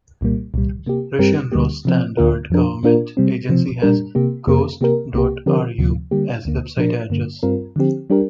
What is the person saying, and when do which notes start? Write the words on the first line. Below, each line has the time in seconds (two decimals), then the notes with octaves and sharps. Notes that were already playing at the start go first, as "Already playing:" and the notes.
Russian Rosstandart government agency has "gost dot ru" as website address.
0.21 C2 A#2 G3 A#3
0.54 C2 A#2 G3
0.86 C3 A#3 G4
1.19 G2 G3 C4 G4 A#4
1.52 D2 D3 G3 A#3 G4
1.85 C3 F3 C4
2.17 D2 D3 A#3 F4 A#4
2.50 F2 F3 D4 A#4
2.83 A#2 A#3 D4 F4 A#4
3.17 C3 G3 C4
3.49 C3 F3 C4
3.82 A#2 G3 D4 A#4
4.15 C3 A#3 G4
4.47 F2 C3 A#3 G4 A#4
4.81 C3 A#3 G4 A#4
5.14 C2 C3 A#3 G4
5.46 D3 F3 C4 G4 A#4
5.79 D2 C3 F3
6.11 D3 G3 A#3 G4
6.45 D2 D3 A#3
6.77 A#2 F3 D4 A#4
7.10 G2 D3 A#3
7.43 G2 G3 C4 F4 A#4
7.76 D3 F3 C4 G4
8.10 G3 D4 G4 A#4